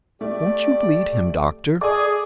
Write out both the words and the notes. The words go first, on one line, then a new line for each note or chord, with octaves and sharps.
Won't you bleed him, doctor?
A3 G4 D5
G#4 A4 D5 D6